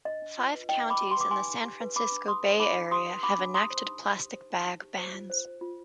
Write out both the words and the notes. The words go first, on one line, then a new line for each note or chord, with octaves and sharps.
Five counties in the San Francisco Bay Area have enacted plastic bag bans.
D4 D#5
D4
F4
B4
D#4 D#5 G5
D#4
B5 D6
G4
C6
B4 D6
D#4 G#5 C6
D#4
G4
B4
D4 B5 D6
D4
G4 C6 D#6
C5
D#4 B5 D6
D#4
G4 C6 D#6
B4
D4 B5 D6
D4
G4 C6 D#6
C5
D#4
D#4
G4
C5
D#4
D#4
G4
C5
F4
C5
C5
F4